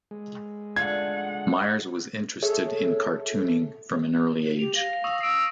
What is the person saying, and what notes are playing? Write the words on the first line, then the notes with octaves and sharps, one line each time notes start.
Myers was interested in cartooning from an early age.
G#3
A3 D4 F4 F#5 G#6
G#4 A4 C#5 E5
G4 F7
F5 A#6
C#6 D#6 E6
E6 C7 D7